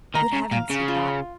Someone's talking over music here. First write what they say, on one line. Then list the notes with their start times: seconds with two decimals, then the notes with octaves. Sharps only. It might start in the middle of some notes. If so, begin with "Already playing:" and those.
"Good heavens!" he thought.
0.15 D#3 A#5
0.33 C#3
0.51 A#2 F5
0.70 C#3
0.88 F4